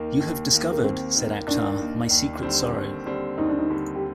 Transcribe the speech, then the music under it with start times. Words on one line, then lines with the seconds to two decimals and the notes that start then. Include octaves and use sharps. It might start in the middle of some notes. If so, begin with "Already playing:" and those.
"You have discovered," said Akhtar, "my secret sorrow."
Already playing: D#2 D#3 A#3
0.20 D#2
0.53 D#3 A#3
0.72 A#3
0.83 D#2 C4
1.16 D#3 A#3
1.47 D#2 D4
1.79 D#3 A#3
2.11 D#2
2.43 D3 G3 C4
2.74 D#2
3.06 D3 G3 C4
3.38 D#2 D#4
3.49 D4
3.59 D#4
3.70 D3 G3 C4
3.95 G4